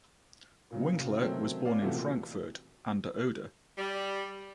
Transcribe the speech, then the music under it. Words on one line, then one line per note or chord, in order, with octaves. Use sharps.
Winkler was born in Frankfurt an der Oder.
A#2 C#3 F#3
C#3
C3 D#3 F#3 A3 C4 C#4
B3 C#4 D5 F5
C3 E3 F3 A3 F#4 G4
A#2
G3